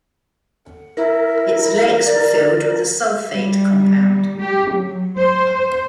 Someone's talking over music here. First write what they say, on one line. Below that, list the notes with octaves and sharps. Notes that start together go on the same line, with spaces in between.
Its legs were filled with a sulfate compound.
E4 A#4
D5
G3
G4
F#3
C5